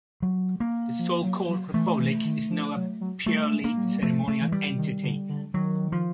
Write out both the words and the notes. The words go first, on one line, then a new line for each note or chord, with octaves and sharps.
The so-called "Republic" is now a purely ceremonial entity.
F#3
A#3
F3
F#3
F#3
E3 A3
E3
D#3
F3
F#3
F#3
G3 A3
G#3
A#3
G3
F#3
G3
F3 A3
A3
E3
G3
D#3
D3
D3
D#3 F#3
F3